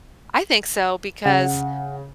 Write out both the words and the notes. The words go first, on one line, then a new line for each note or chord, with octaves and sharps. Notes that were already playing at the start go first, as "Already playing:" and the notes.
I think so because
C#3 F#5